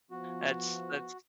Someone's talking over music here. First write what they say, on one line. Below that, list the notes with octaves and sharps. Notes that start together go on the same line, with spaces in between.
That's that's,
F3 B3 F#4